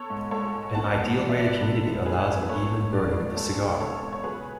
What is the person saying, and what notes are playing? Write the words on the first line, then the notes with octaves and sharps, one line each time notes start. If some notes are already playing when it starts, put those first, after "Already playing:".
An ideal rate of humidity allows an even burning of the cigar.
Already playing: B3 A4 C#5
G#2
G#3 A4 C#5
G#2
B3 F#5 A5
G#2
E3 D5
E5
G#2 B4 D5
B3 A4
G#2
F#3 G#4 B4
G#2
B4
B3 A4 C#5
G#2
F#3 B4 D5
G#2
B4
G#3 A4 C#5
B3
C#3 A4 C#5
E2
C#5
F#3 G#4 B4